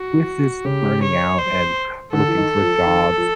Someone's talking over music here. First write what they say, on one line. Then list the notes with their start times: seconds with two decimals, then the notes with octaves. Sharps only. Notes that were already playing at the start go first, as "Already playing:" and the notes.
with this burning out and looking for jobs,
Already playing: F#4
0.16 E3
0.65 C#3 G4
1.03 C#5
1.39 C5
2.13 D3 A4
2.28 E3
2.37 D#3
2.62 F3
2.86 D#3
3.17 F3